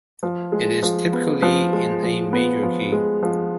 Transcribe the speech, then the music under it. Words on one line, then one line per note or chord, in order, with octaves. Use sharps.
It is typically in a major key.
F3
G#3
F3
B3
F3
G#3
F3
B3
F3
G#3
F3